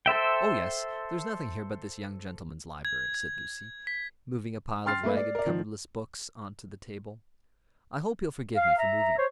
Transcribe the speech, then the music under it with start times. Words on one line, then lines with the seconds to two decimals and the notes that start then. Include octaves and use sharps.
"Oh, yes; there is nothing here but this young gentleman's library," said Lucy, moving a pile of ragged, coverless books on to the table. "I hope he'll forgive me for moving them."
0.06 A4 C5 E5 G5
2.85 G#6
3.14 G#6
3.87 B6
4.86 G5 C6 F6 A6 C7
5.03 A3 A#3 B4
5.17 D5
5.35 A#4 D5
5.46 D#3 F3
8.56 F5
8.78 E5 A#5
9.17 C5 C#5